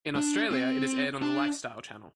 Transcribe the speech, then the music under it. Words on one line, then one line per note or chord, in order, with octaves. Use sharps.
In Australia, it is aired on The Lifestyle Channel.
D4
C4
D4